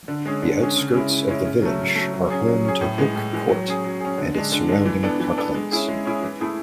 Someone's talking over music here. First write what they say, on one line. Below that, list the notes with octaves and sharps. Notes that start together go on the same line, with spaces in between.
The outskirts of the village are home to Hooke Court and its surrounding parklands.
D3
G#3 C#4 G#4
D3
G#3 C#4 G#4
C#3
G#3 C#4 E4
C#3
G#3 C#4 E4
C#3
F#3 A3
C#3
F#3 A3
F#3
C#4 G#4
F#3
C#4 G#4
A2
E3 G#3
A2
E3 G#3
F#3
C#4 G#4
F#3
C#4 G#4
D3
G#3 D4
D3
G#3 D4
E3
B3 D4 A4
E3
B3 D4 A4
G#3
C#4 E4 G#4
G#3
C#4 E4 G#4
E3
A3 E4 G#4